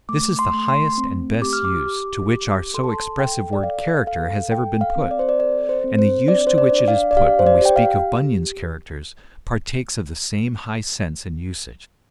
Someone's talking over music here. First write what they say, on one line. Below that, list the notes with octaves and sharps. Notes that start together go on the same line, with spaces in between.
This is the highest and best use to which our so expressive word 'character' has ever been put, and the use to which it is put when we speak of Bunyan's Characters partakes of the same high sense and usage.
A3 D6
C6
A3
C6
C4
G4 D6
F6
D6
G4
G4
A4 C6
A5
C6
A4 G5
D5
A4 F5
A4 F5
A4 G5
F5
C4
D5
C5
D5
A4 D5
C5
C4
C5
D4 D5
C5
D5
D4
D5
F5
D5
G4 F5
C5
D5
G4 G5
F5